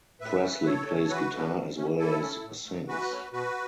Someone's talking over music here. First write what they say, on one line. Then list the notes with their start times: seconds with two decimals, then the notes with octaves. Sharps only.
Presley plays guitar as well as sings.
0.20 A2 B4 E5
0.43 E3 C#4
0.65 A2 A4 C#5
0.88 A3 C#4
1.10 E3 F#4 B4
1.32 A3 C#4
1.55 A2
1.77 A3 C#4
1.99 E3 E4 A4
2.22 A3 C#4
2.44 A2
2.66 F#3 A3
2.88 E3 F#4 B4
3.11 A3 C#4
3.33 B2 F#4 B4